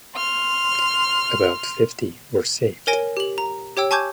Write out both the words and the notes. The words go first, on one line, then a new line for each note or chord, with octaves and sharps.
About fifty were saved.
C6 F6
A#4 C#5 G#5 A#6 D7
G4 F#7
A#5
G4 C#5 G5 E6
G#5 A5 C#6 D6 G6 G#6